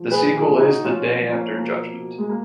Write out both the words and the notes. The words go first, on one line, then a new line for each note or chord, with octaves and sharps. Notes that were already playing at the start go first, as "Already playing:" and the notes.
The sequel is "The Day After Judgment".
Already playing: F3
A#2 G#4 B4
F4 G#4
A#2
D#4 F#4
F3 C#4 F4
F3
A#3 C#4
B2 A#3
B2
G#3
A#3